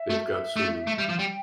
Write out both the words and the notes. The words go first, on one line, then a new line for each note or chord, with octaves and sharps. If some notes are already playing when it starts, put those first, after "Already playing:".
they've got some
Already playing: E5
A3
A3
A3
G3
F3 F5
G3 G5